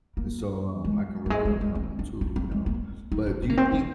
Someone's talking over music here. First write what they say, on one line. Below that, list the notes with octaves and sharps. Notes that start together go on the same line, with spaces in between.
And so, um, I can relate on that one too, you know? But do you think
A#3
G#3
G3
G#3
G#3
G#3
C4
D4
D4
C4
G#3
A#3
D#4
D4
C4
A#3
C4
C4